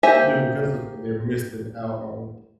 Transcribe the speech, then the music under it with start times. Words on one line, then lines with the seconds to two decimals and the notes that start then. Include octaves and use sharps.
simply because of the fact they're missing out on,
0.03 A#3 G4 C5 E5 G#5